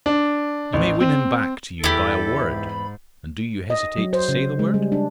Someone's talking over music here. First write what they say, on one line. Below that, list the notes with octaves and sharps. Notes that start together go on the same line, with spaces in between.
You may win him back to you by a word--and do you hesitate to say the word?
D4
A1
C4
E2 E4 G4 A4 B5
G#2
D#5
F#3
C5
C#3
G#3
G3
D4